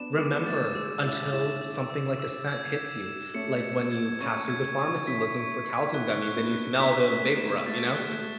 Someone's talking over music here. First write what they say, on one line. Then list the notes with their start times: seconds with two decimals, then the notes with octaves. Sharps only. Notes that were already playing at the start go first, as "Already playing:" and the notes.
remember until something like a scent hits you, like, when you pass through the pharmacy looking for calcium gummies and you smell the vapor rub, you know?
Already playing: B3 D4 E7
0.17 G#3 B3 D6
0.46 A3 A6
0.75 G#3 E6
1.04 C#4 E4 E6
1.33 C#4 E4 E7
1.61 E6
1.90 E6
2.19 E6
2.48 G#6
2.76 E7
3.06 E7
3.34 A3 C#4 C#7
3.64 C#7
3.92 G#6
4.21 A3 C#4 C#6
4.50 G#6
4.79 C#6
5.07 C#4 E4 B6
5.36 C#6
5.65 C#6
5.94 C#4 E4 F#6
6.22 F#6
6.36 B3 D4
6.52 F#6
6.80 B3 D4 B6
7.09 A3 C#4 B6
7.38 G#3 B3 E7
7.66 A3 A6
7.88 G#3
7.95 F#6
8.10 A3